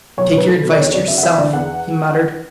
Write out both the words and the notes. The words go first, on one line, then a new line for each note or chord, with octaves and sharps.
"Take your advice to yourself," he muttered.
B1 C#5
C#5
B1 B4
F#3 A4
B2
D5
E2 C#5
F#3 D5
C#3 E5
F#5
E3 E5
D3 D5
E2 F#5